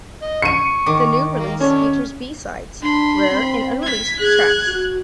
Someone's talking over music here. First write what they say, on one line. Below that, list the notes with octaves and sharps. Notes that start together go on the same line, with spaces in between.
The new release features B-sides, rare and unreleased tracks.
D#5
C#6 C#7 D#7
D#3 D6
A#3
C#4 A4 C#5 D5
D4 B5 C6
C4
G#6 B6
G#4 F#6 G#6
F#4